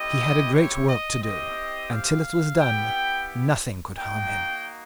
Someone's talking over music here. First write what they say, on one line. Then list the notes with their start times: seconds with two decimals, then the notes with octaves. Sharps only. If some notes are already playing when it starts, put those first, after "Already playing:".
He had a great work to do; and till it was done nothing could harm him.
Already playing: A3 C4 E4 G4 D#5
0.53 C#5
0.88 D#5
1.22 C4 E4 G4 D#5
1.91 F5
2.59 B3 E4 G4 G5
3.96 A#3 D#4 F#4 G5